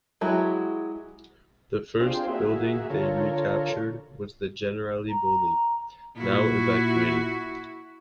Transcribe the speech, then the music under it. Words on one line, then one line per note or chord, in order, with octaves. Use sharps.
The first building they recaptured was the Generali Building, now evacuated.
F#3 G#3 E4 F#4 G4
C4 D4 F4 G4 G#4 C5
A#3 F#4 G#4 E5
D3 F4 A4 A#4 C#5
A#5
A#2 E4 F#4